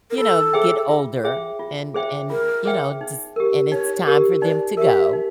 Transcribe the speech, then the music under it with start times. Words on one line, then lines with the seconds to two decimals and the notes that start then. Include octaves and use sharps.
you know, get older, and, and you know, just, and it's time for them to go,
0.11 A#4
0.18 F4 A4
0.53 G#4 C5 E5 G5
0.89 F4
1.24 G#4 C5 E5 G5
1.59 F4
1.94 G#4 C5 E5 G5
2.30 F4 A#4
2.65 G#4 C5 E5 G5
3.01 D#4
3.36 G4 A#4
3.71 D#4 C#5
4.07 G4 A#4
4.42 D#4 D5
4.77 G4 A#4 E5
5.13 D#4